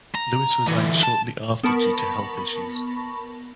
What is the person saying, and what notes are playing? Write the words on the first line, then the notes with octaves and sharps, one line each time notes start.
Lewis resigned shortly after due to health issues.
A#5
D3 E3
A5
B3 A#4 A5 B5 C#6